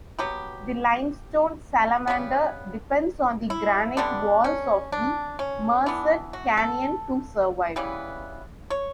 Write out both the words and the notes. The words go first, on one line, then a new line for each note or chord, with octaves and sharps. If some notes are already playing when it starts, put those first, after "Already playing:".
The limestone salamander depends on the granite walls of the Merced Canyon to survive.
B2 F#3 B3 G4
C#3 G3 B3
E4
D3 G3 B3 D4
C#4
D4
C#4
E3 B3 D4
F#4
A4
C#3 E3 G3 B3
C#5